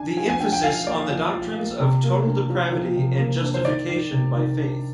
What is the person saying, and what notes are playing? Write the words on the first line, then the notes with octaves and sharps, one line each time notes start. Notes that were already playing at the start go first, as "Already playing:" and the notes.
The emphasis on the doctrines of Total Depravity and Justification by faith.
Already playing: D4 G#5
F3 G#5
G#5
D4 G5
G5
F3 F5
A#3 D5
F3
F3
A#3
C3
A#3
D4
F3
F3
C3
A#3
D4
C5
D#3 D5
D#3
C3
D#3
D4